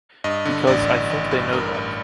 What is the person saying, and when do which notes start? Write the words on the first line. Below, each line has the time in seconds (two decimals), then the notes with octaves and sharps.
Because I think they know that.
0.24 G2 D#5
0.45 D3
0.67 A1 D5
0.88 D3
1.10 A1
1.31 G2
1.53 G2 A#4
1.74 A1